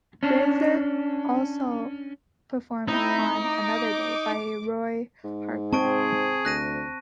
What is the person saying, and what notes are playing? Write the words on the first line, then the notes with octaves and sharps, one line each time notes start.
Fraser also performed on "Another Day" by Roy Harper.
C#4 D4
A3 C4 D#4 E4
D6
G#2
C4 G#4 A5 C#6 D7
D2 F#6 A#6 D#7